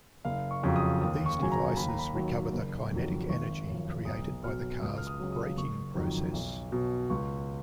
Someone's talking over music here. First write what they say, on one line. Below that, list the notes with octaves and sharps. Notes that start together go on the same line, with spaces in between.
These devices recover the kinetic energy created by the car's braking process.
F#1 F5
C#6
F2 C#3 F#3
D#6
D#2 D#6
C#6
C#3 F#3 G#5
A#5
D#2 B5
A#5
B5
D#3 F#3
F#1
F2 D#3 F#3
G#1 C#6
F#2 F3
B1 D#6
B2 F#3 F6
C#2 D#6
F6
D#6
C#3 F#3
D#6
F#1 C#6
F2 D#3 F#3
B1
B2 F#3
C#2 C#6